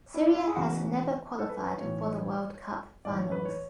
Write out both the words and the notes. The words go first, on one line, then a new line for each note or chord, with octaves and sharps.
Syria has never qualified for the World Cup finals.
E4
D4
E4
G#4
E1 E2 C#3 E3 F#4
A4
B4
B1 A2 E3 C#5
A1 G#2 E3 D5
C#5
B4
C#5